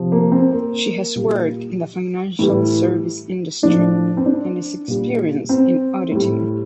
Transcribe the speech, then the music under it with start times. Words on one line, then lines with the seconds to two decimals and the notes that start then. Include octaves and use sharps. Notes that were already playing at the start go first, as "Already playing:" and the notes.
She has worked in the financial service industry and is experienced in auditing.
Already playing: C3 F3
0.12 A#3
0.32 C4
0.52 A#3
1.15 A#2 G3
2.39 A2 E3 G3
3.63 A2 F3 D4
4.17 C4
4.26 D4
4.88 A#2 G3
5.49 C4
6.12 A2 G3